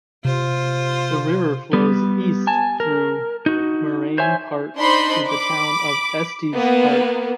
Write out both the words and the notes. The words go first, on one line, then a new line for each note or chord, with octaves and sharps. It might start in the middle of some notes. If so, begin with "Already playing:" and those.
The river flows east through Moraine Park to the town of Estes Park.
C3 F4 C5
G3 B3
G#5 A5
A#4
D#4 F#4
C5 C#5 E5 G#5
D4 D#4 C5 B5 C6
B5 D6
A#3 B3